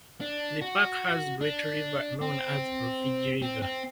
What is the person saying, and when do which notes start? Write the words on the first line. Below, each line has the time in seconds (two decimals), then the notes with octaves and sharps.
The park has great river known as Rufiji river.
0.21 D4
0.61 F#4
1.41 D4
2.21 C4
3.42 C4
3.62 C4